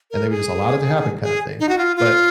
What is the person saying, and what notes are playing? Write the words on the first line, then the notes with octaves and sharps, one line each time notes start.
and they were just allowed it to happen kinda thing, but
A#4
G#4
G#4
D#4
F#4
F4
F4